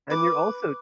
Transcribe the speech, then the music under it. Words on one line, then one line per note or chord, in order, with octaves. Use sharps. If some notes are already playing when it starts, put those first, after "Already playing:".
And you're also
B4 D6